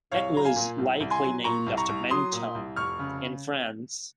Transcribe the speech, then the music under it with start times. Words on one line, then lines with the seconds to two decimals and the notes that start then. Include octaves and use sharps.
It was likely named after Menton, in France.
0.12 C2 C#5 F5
0.34 F#3 A#5
0.44 F5 G#5
0.56 A#2
0.78 C2
1.00 C2
1.11 G#5 C6
1.23 F#3
1.44 A#2 A#5 C#6
1.66 C2
1.77 A#5 C#6
1.89 C2
2.10 F#3 C6 D#6
2.32 A#2
2.55 C2
2.76 F1 C#6 F6
2.99 C#3